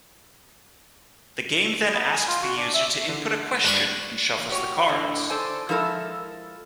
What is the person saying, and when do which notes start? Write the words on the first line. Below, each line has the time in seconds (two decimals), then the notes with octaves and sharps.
The game then asks the user to input a question, and shuffles the cards.
1.83 G#4
1.94 B3
2.12 G#5
2.28 F4
2.42 F#4
2.57 D4
2.74 E5
3.09 D3
3.64 G2 D4 B5 C#6
4.35 E2
4.49 F#4 G4 C#5
4.88 E2 A2 D3 D#5
5.30 A4 C5 D5 G#5
5.69 F3 G#3 E4 A4 A#4 E5